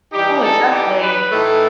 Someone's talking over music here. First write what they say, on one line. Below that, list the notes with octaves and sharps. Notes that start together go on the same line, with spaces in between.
Oh, exactly.
E3 G3 D#4 G4
A4
G4
B4
A2 E3 A3 D#4